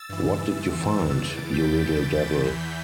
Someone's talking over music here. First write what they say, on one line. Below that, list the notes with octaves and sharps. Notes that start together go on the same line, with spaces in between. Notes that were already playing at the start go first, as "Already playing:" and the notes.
What did you find, you little devil?
Already playing: E6 A6
G2 E3
E6 A6
E2 E3 A6 D7
G6 B6
G6 B6
E2 E3